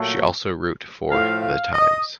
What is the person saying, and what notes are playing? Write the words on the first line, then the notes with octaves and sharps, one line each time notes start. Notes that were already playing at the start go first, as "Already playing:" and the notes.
She also wrote for "The Times".
Already playing: A#2 F#3 A3
A2 F3 A3 F5
F5
D#5